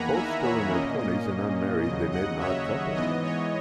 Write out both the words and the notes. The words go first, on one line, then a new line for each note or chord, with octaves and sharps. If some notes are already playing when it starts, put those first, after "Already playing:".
Both still in their twenties, and unmarried, they made an odd couple.
Already playing: E2 D#3 A#3 F#5 G#5 A#5 B5
E5 G#5
C#5 E5
A#2 A#3 C#4 D#5
D#5
D#2 C#3 F#3 D#5
D#5 F#5
C#5 E5
G#2 E3 B3 D#5
C#5